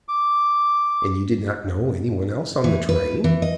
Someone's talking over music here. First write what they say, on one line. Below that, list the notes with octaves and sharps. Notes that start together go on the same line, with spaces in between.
"And you did not know any one else on the train?"
D6
E3
B4
E3
D#5